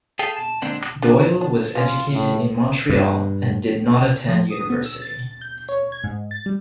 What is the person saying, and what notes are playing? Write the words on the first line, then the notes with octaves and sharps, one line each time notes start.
Doyle was educated in Montreal, and did not attend university.
G#4 A4 E5 F5 G5
A5
D3 G#3 A#3 C4 D4
D4 D5
D4
G3 C#4 F4 D5
A2
G2
F3
D#6
B3
E6
A6
G6
C#5
G#6
G#2
A6
G3